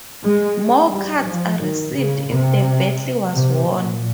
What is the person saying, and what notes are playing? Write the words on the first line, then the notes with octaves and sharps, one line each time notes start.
More cards are received if the battle was won.
G#3
G3
F3
D#3
C#3
C3
C3
A#2